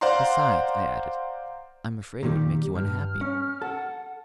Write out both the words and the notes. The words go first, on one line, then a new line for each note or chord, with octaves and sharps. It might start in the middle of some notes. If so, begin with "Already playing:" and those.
"Besides," I added, "I'm afraid it would make you unhappy."
C5 D5 F5 F#5 A#5 C6
A#2 D#3 G3 G4
G2 F6
C#4
A4 F#5